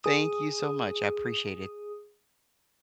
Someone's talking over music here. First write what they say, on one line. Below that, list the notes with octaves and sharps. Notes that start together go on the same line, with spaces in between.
Thank you so much, I appreciate it.
G#4 D#6